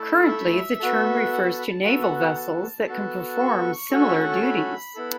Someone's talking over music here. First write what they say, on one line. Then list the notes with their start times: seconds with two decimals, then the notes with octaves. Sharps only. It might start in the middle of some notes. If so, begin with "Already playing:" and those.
Currently the term refers to naval vessels that can perform similar duties.
Already playing: A3 E4 A4 A5
0.28 E5
0.80 B3 F#4 A4
1.33 F#5
1.45 A5
1.59 B5
1.70 A5
1.83 B3 F#4 A4 E5
2.02 F#5
2.19 F#5
2.36 A5
2.88 B3 F#4 A4
3.39 C#6
3.91 A3 C#4 F#4 A4
4.08 E5
4.20 F#5
4.32 A5
4.43 B5
4.95 B3 E4 A4